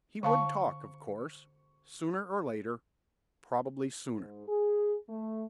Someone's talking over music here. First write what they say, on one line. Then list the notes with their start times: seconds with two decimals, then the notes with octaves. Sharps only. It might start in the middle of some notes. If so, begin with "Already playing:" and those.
He would talk, of course, sooner or later, probably sooner.
0.23 D3 F5 A5 C#6
4.18 G#2
4.48 G#4
5.09 A3